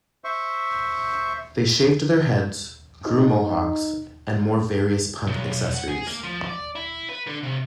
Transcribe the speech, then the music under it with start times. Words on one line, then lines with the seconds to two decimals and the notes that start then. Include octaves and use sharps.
They shaved their heads, grew mohawks and wore various punk accessories.
0.24 C5 E5 C#6
3.07 D#4
5.27 B1
5.74 F#5
5.88 G#4
6.07 A#3
6.23 F3
6.49 D5
6.75 E4
7.09 B4
7.27 D3
7.43 C3